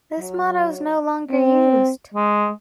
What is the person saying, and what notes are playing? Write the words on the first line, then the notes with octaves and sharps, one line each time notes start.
This motto is no longer used.
F#3
C4
G#3